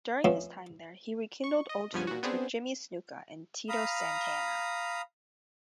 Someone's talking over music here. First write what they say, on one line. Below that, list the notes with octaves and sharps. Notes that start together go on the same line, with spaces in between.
During his time there, he rekindled old feuds with Jimmy Snuka and Tito Santana.
F2 F3 A3 B3 C#4
C#6
D#5
C#2 G2 F3 B3 C#4 G#5
A#2 F#4
B3 C4 D4 G#4 C5
F5 A#5 B5 D#6